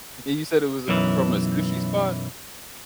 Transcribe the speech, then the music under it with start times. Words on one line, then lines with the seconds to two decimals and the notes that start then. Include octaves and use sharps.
And you said it was, uh, from a sushi spot?
0.88 B1 F#2 E3